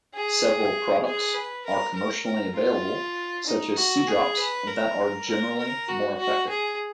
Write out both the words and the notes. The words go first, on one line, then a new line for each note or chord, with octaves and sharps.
Several products are commercially available such as Sea Drops that are generally more effective.
G#4
G#4
B4
A#4
A#4
A#4
F4
D#4
F#4
G#4
B4
A#4
A#4
A#4
F#4
F#4
G#4